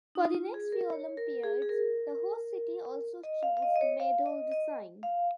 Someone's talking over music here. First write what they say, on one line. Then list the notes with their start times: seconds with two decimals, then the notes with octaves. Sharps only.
For the next few Olympiads the host city also chose the medal design.
0.15 D#4
0.35 F4
0.54 G#4
0.72 A#4
0.93 C#5
1.17 A#4
1.44 G#4
1.62 G#4
1.69 A#4
3.23 D#5
3.43 F5
3.57 F5
3.62 D#5
3.76 D#5
3.81 C#5
4.00 F5
4.26 D#5
4.52 D#5
5.03 F5